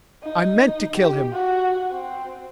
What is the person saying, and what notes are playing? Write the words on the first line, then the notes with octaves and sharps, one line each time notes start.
I meant to kill him.
D#4
G4
F#4
C4